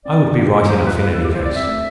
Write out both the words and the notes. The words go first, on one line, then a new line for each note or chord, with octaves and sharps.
I would be right enough in any case . . .
C4 D5
D4
F4
G4
F4
D4
F4 C5
G4
F4 B4
F4 B4
A4
E4
F4 G4
E4 C5
D5
C4 E5
A3